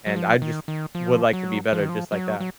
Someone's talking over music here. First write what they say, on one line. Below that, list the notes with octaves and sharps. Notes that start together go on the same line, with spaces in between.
and I just would like to be better just like that.
F#3
F3
D#3
D#3
F3
F#3
F3
D#3
F3
F#3
F#3